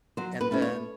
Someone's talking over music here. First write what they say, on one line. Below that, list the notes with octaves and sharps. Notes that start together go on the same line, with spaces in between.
and then
F#3 C5
B4
A3 C#4 E4
C#5